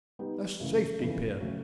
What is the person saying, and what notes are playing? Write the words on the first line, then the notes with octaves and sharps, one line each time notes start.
A safety-pin! ...
G3 B3 D#4 G4
F#2 C#3 E3 A3
F2 C#3 E3
C#3 F#3 A3 C#4